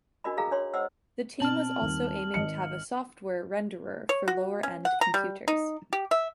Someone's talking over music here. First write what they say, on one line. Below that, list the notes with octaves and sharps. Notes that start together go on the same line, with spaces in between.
The team was also aiming to have a software renderer for lower-end computers.
D4 F#4 A#4 D#5 B5
G#4 A4 F5 A#5
D4 C#5 C6
C5 D#5 F#5 E6
B2 C4 A5 F6 F#7
D#1 D#2
G#1 D#5 C#7
C#5
F#4
C#4
F#5
A#5
G3
D#4
G4
E5